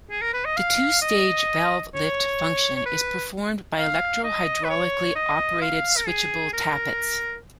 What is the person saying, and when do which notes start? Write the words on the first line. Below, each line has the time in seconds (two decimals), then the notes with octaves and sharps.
The two-stage valve-lift function is performed by electro-hydraulically operated switchable tappets.
0.11 G#4
0.22 A#4
0.34 B4
0.45 D#5
0.57 F5
1.02 D#5
1.95 C#5
2.76 C#5
2.86 B4
3.78 F5
4.24 D#5
4.65 B4
4.70 C#5
5.16 D#5
5.62 F5
5.97 A#4
6.08 G#4
6.53 A#4